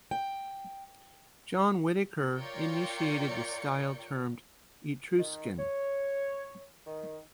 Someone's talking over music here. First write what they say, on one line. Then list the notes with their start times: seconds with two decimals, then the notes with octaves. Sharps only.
John Whitaker initiated the style termed Etruscan.
0.11 G5
2.39 F4 A#4 C#5 D5 G5 C#7
5.19 D#3
5.59 C#5
6.87 D#3